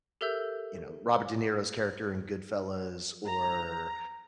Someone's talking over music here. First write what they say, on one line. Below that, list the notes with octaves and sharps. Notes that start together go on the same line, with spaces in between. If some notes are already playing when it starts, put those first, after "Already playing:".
you know, Robert De Niro's character in Goodfellas or,
G4 A4 A#4 E5 E6 G6
A#5